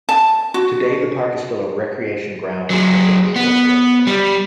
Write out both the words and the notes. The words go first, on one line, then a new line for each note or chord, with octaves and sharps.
Today the park is still a recreation ground and cricket is still played there.
A5
F#4
F#3 G#4
B3
G3